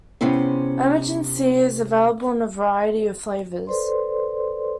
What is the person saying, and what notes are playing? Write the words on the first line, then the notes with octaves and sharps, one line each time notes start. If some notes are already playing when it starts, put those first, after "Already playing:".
Emergen-C is available in a variety of flavors.
C3 B3 C#4 E4 C5
A4 B4 C5 D5 C6